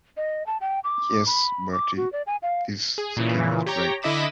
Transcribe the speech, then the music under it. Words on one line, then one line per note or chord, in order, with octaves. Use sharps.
Yes, Bertie, this scheme is bright.
D#5
A5
G5
D6
B5
D6
F#4
D5
G#5
F5
G#4
A#2 C#3 E3
G4 C#5 G5 A#5
D3 E4 D#5 B5 D6 E7